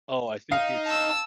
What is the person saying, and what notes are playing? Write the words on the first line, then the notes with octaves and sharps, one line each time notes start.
Oh, I think it's
D#4 F5
A5 E6